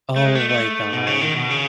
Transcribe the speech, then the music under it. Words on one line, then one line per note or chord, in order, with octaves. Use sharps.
Oh my gosh.
A3
G#3
A3
A3
B2
C#3
D#3
B2
C#3